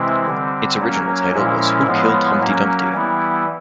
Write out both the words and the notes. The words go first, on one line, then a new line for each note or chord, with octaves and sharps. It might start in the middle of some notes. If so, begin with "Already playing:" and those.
Its original title was Who Killed Humpty Dumpty?
Already playing: C3 E3 G#3 C4 E4
D3 G3 C4
F#3 A#3 C#4
A#2 F3 G#3 C#4 E4
A2 F3 G#3 B3
F#3 A#3 C#4
E3 G3 B3 E4